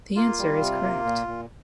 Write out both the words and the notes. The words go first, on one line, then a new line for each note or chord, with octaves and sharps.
The answer is correct.
A#3 F4
G3
C3
A#3
A#2
A#2